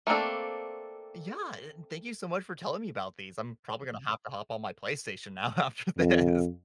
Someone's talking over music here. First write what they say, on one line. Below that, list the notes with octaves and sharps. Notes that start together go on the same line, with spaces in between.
Yeah. Eh, thank you so much for telling me about these, I'm probably gonna have to hop on my PlayStation now after this.
A3 A#3 C4 D4 A4
F2